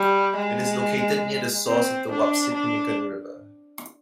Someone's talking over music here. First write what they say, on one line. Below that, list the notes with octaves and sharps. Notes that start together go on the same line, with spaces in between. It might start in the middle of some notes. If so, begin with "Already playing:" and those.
It is located near the source of the Wapsipinicon River.
Already playing: G3
G#3
C4
D4
D4